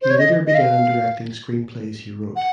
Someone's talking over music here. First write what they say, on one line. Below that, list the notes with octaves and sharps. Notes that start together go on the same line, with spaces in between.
He later began directing screenplays he wrote.
C5
C#5
D#5
D#5
F5
F#5